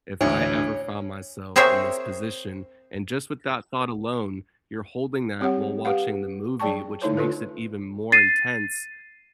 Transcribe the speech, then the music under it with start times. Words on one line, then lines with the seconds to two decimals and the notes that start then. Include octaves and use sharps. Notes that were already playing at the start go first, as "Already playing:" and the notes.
if I ever found myself in this position" and just with that thought alone, you're holding that while watching the movie, which makes it even more intense.
0.21 A1 D2 D4 C#5
1.56 C4 G#4 A#4 C5 C#5 E5
5.40 G3 C4 G4 C#5 F#5
5.85 G4 B4 F5 F#5
6.60 F#3 G#4 D5 G5 A5 C#6
7.02 D3 A3 D#4 E4 C5 C#5
7.17 D4 F4 A4 B4
8.12 A6 C7 D#7